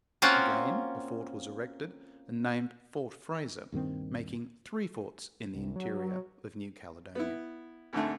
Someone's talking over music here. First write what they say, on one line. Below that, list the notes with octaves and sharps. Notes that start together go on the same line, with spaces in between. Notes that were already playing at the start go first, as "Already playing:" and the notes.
Again a fort was erected and named Fort Fraser, making three forts in the interior of New Caledonia.
A#3 C4 C#4 F4 F#4
D#1 G2 D#3 C4
C2
F#3
B3 E4
C2 G#2 D3 A3